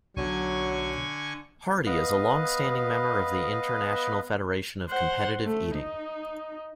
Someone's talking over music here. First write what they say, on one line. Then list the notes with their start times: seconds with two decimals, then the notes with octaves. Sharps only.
Hardy is a long-standing member of the International Federation of Competitive Eating.
0.16 B1 D3 F#3 G#5 C#6
1.86 B3 B4 D#5 F5
4.88 C5 F#5
5.45 A3
5.75 D#4